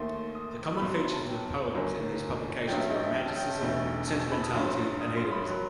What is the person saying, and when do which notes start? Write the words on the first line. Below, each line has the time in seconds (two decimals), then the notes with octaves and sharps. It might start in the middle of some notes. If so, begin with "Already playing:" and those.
The common features of the poems in these publications were romanticism, sentimentality and hedonism.
Already playing: D#2 D#3 A3 C6
0.35 D#6
0.77 B5
0.82 B1 B2 F#3 C6
0.97 C6
1.13 A5
1.28 G5
1.74 G1 F#2 D#3
2.67 A1 G2 F#3 G5
2.80 E5
2.90 D#5
3.03 E5
3.14 G5
3.26 A5
3.36 G5
3.61 E1 E2 B2 A3 D#4
4.07 A5
4.20 A5
4.31 B5
4.43 D#6
4.54 A1 G2 F#3 C6
5.01 D#6
5.17 C6
5.31 B5
5.47 D#3 F#3 C6